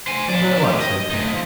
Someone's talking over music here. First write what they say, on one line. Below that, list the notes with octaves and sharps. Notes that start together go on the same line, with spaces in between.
'Don't I what?' said Peg.
C5 G#5
E4 D5
A2 G4
D#5
A3 D#4
D2 F3